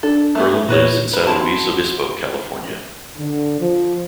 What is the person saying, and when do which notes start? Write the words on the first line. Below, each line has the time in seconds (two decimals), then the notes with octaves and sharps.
Kurland lives in San Luis Obispo, California.
0.03 D4 A4
0.35 A3 B3 G#4 E5
0.68 A#2 F#4 B4 C#5
1.13 B4
1.27 C4 E4 F#4 A5
3.17 D3
3.59 F3